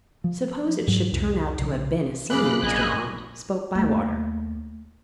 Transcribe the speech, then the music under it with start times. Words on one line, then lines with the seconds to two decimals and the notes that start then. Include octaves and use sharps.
"Suppose it should turn out to have been a senior, Mr. Gaunt?" spoke Bywater.
0.24 F3
0.87 G#2 F#3
1.12 C2 F2
1.59 B1 C#3
2.30 F#2 C#3 A#3 B4 B5 D6 F#6
2.62 A#1 D#5 G#5
3.75 D#2 A3